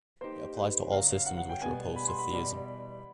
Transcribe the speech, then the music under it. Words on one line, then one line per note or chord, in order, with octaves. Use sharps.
It applies to all systems which are opposed to theism.
A#3 D#4 G4 C5
B4
E2 C#3 F#3 F5
F#5
F#5
G5
B2 G3 B3 D4 G#5
B5
C6
B5
E2 B2 G3